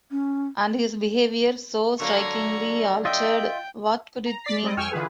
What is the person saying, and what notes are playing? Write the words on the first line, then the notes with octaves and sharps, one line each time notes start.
And his behaviour, so strikingly altered — what could it mean?
C#4
D3 F#3 A#3 A#5 C#6
F4 D#5 E5 G5
A#5
D5 A6 B6 C7
G3 G#3 C4 D5 D#5
F2 G5 G#5 C#6 E6 F6
D3 E3 F4 G#4 B4